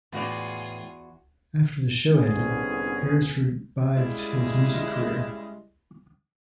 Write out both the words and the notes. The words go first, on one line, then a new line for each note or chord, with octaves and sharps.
After the show ended, Harris revived his music career.
E2 A2 E3 F4 F#4 G#4 D5
C2 A2 D3 B3 C#4 G#4
C#3 G3 G#3 E4